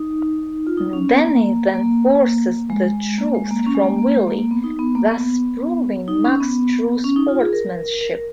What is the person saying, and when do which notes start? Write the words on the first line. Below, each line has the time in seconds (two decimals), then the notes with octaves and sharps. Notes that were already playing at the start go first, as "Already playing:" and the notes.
Danny then forces the truth from Willie, thus proving Muggs' true sportsmanship.
Already playing: D#4
0.67 F4
0.77 D#4
0.93 C#4
1.09 B3
1.25 A#3
1.74 A#3
2.70 G#3
3.18 A#3
3.34 G#3
3.51 A#3
3.67 C#4
3.75 G#3
3.83 A#3
3.99 A#3
4.15 G#3
4.28 A#3
4.39 A#3
4.51 B3
4.64 D#4
4.79 B3
4.95 A#3
5.11 B3
6.08 D#4
6.24 C#4
6.40 B3
7.04 C#4
7.16 D#4
7.28 F4
7.40 G#4
7.53 A#4
8.01 A#4